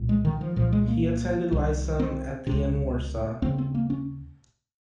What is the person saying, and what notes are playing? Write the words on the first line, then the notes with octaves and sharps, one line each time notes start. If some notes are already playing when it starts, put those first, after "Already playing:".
He attended lyceum at the in Warsaw.
Already playing: C2 A#2
G#3
D#3
F3
C2 A#2 F3
G#3
A#3
C2 C3
C4
C#2 C3
D#2 C#3 C4
C4
A#3
C#4